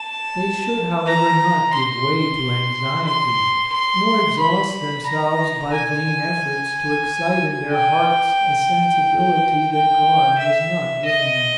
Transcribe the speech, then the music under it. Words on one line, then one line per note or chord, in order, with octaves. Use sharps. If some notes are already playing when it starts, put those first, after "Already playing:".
They should, however, not give way to anxiety, nor exhaust themselves by vain efforts to excite in their hearts a sensibility that God has not given them.
Already playing: A5
A#5
C6
C6
C6
B5
A#5
G#5
G5
G5
E5
D#5